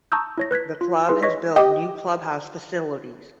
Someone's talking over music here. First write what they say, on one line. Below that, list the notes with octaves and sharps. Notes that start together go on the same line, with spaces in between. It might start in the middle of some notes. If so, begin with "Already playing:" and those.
The club has built new clubhouse facilities.
A5 A#5 C#6 D#6 E6 G6
E4 C#5 A#6
B4 F#6 G#6 B6
F4
D#4 E4 G#4 B4 C6
B4 C#5 D#5 C#6 A#6 B6
G4 D#5